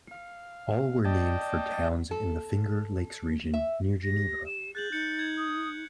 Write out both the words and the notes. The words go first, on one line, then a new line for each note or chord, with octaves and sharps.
All were named for towns in the Finger Lakes region, near Geneva.
F5
D5 D#5 G5 A5
A4
E5
G4 A#6
E7
G#4 F#6 G6 A6 F#7
D#4 F#6 G6 C#7
G#6 F#7
D#6 G6